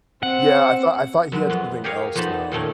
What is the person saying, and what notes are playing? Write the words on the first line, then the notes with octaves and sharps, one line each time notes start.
Yeah, I thought I thought he had something else though.
C4 F#5
F#2 F#3 G#3
F2 B3
G4 G#4 A#4 C#5 F5
F2 F3 B3 D#4 A5 B5
A#2 D#3 A3 C#4